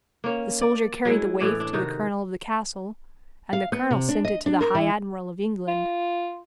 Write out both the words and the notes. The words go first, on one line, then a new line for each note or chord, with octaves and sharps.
The soldier carried the waif to the colonel of the castle, and the colonel sent it to the High Admiral of England.
A#3 C#4
D5
F#3 G#3 E4
A2 E3 C#4 D5
D4
C3 D#3 D#4 F#4
F5
B3
C3
D4
D#5
D4
A#4
E3
F4